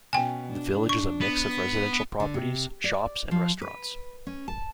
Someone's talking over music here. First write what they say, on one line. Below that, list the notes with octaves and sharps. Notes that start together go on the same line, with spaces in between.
The village is a mix of residential properties, shops and restaurants.
B2 C#4 G5 G#5
D4
C#6
B3
D3
C3
D5
F3
B4
C#4
A5